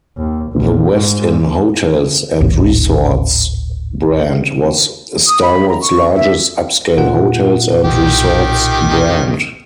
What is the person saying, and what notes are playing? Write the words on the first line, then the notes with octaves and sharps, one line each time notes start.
The Westin Hotels and Resorts brand was Starwood's largest upscale hotels and resorts brand.
D#2
A#1
G#2
D1 G#1
D#6
B5
A#5
C#6
E5
E2 A#2 F4 F#5
B1 D#3 G4